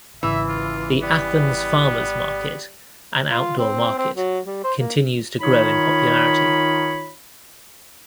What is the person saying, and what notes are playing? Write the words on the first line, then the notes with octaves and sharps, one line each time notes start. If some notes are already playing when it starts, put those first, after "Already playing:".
The Athens Farmers Market, an outdoor market, continues to grow in popularity.
G#1 C#3 E3 E5
F4
G3 B3
F4
C4
C4
F#3
G3
C5
A#3
D#3 D#4 F4 C#5 B5